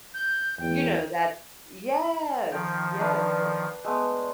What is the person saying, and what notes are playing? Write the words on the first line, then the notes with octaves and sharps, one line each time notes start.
you know, that yes, yes, to
G6
E2 G5
D#3 F3 G5
D4 B4 F5
G#3 A3 B3